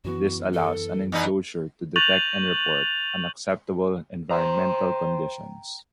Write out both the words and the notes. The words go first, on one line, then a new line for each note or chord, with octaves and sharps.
This allows an enclosure to detect and report unacceptable environmental conditions.
F#2 E3 B3 F#4
A4
E2 D#4 B4
C#6 F#6 G6 A6 F7 F#7
C5 G5 A#5